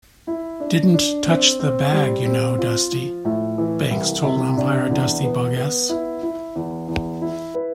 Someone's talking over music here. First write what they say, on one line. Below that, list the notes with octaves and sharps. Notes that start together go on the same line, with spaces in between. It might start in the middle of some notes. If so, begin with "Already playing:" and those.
"Didn't touch the bag, you know, Dusty", Banks told umpire Dusty Boggess.
E4
D4
D4
C4
C4
G3
C4
F4
F3
A2
E3
C2
C3
D4
E2
B3
B3
E4
E4
E2
E2
E4
B4